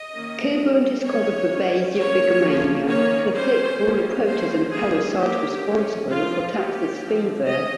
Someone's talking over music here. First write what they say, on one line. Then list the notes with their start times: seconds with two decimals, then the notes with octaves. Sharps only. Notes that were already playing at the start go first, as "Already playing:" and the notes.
Kilbourne discovered "Babesia bigemina", the tick-borne protozoan parasite responsible for Texas fever.
Already playing: D#5
0.13 D#3 A#3 C#4
0.58 G3 C4
1.04 D#3 G#3 C#4 C#5
1.50 G3 C#4
1.96 D#3 A#3 C#4 C#5
2.41 F3 A#3 C#4
2.88 D#3 A#3 C#4 C#5
3.34 G3 C#4 C5
3.80 G3 A#3 C#4
4.26 F3 A#3 C#4 C5
4.71 G3 A#3 C#4 G#4
5.17 D#3 A#3 C#4 G4
5.64 F3 A#3 C#4
6.09 F3 C4 F4
6.55 G3 A#3 C#4 G4
7.01 F3 C4
7.46 C#4 D#5